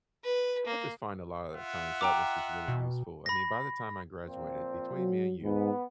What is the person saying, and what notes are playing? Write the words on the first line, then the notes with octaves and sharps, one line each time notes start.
I just find a lot of times that was just really useful, I mean, by the time I graduated, between me and you,
B4
A#3
F4 E5 F#5
G5 A#5 D6
B2
B5 A#6
A#2 F3 C4
F#3
G#2 B3